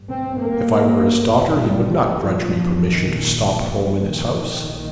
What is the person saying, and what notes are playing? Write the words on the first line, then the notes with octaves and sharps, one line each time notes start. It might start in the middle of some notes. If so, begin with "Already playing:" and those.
If I were his daughter he would not grudge me permission to stop at home in his house.
Already playing: A1 G2
C4
A#3
G3
G3
A#1 A#2 F3
D#3
D#3
A#1 A2